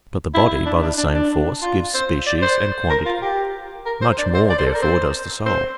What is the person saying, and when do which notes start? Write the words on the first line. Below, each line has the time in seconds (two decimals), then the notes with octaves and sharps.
But the body by the same force gives species and quantity; much more, therefore, does the soul.
0.35 E4
0.66 D4
0.82 D4
0.98 D4
1.15 D4
1.62 F4
1.94 C5
2.26 D5
2.42 C5
2.90 A#4
3.06 F4
3.22 G4
3.86 A#4
4.02 C5
4.18 D5
4.35 C5
4.50 D5
4.59 C5
4.66 A4
4.75 A#4
4.82 C5
5.46 C5